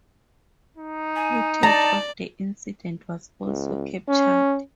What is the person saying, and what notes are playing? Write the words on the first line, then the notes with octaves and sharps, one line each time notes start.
Footage of the incident was also captured.
D#4
G#5
D5 A5 A#5
C#2
C#4